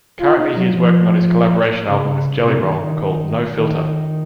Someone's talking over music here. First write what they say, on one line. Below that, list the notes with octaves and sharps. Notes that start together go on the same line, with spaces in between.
Currently he is working on his collaboration album with JellyRoll called "No Filter".
F4
D#4
F#3
F3
C#3
C3
D#3
D#3
D#3